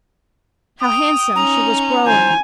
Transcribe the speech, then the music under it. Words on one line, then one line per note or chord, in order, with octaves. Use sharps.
How handsome she was growing!
G5 D#6 F7
C#4 D#4 A#5
C5 G#5